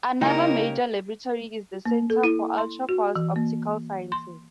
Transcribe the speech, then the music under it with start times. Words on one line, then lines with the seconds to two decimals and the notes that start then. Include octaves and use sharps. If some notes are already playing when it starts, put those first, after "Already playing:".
Another major laboratory is the Center for Ultra-Fast Optical Sciences.
0.21 C#3 A#3 D#4 E4 G4 A#4 C#5 D#5
1.85 A#3
2.10 A4
2.24 E4
2.58 C6
2.89 F#4
3.16 E3
3.36 A#3
4.12 C6